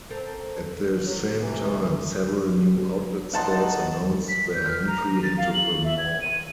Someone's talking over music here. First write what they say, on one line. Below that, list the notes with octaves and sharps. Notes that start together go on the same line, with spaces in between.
At the same time, several new outlet stores announced their entry into the mall.
C4 A4 A#4
F#3
F2 C3 E3
A#1 E2 D#4 F#5 A5 C6
B6
G6
F6
A#5
A6
F5
F#7
E5
G#6
D#7